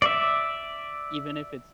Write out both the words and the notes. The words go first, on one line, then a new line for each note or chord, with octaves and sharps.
Even if it's
D5 E5